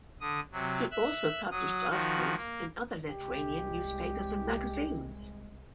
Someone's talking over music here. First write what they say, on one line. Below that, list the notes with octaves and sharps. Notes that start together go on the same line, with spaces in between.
He also published articles in other Lithuanian newspapers and magazines.
D3 D#6
C3 F#3
E5 F#6
F#3 D#6
D#3 F3 F#4
A#3
C2 G#3 G4